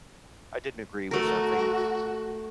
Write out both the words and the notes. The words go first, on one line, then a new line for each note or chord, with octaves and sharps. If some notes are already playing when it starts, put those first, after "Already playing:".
I didn't agree with something
A3 F#4 A#4